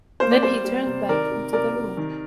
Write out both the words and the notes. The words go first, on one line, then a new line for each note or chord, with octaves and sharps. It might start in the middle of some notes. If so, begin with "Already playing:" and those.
Then he turned back into the room.
A#3 C5
D5
G3 C5
G3
C3
D#3 A#4 D5
C3
C3 A#4 D5
C3
D#3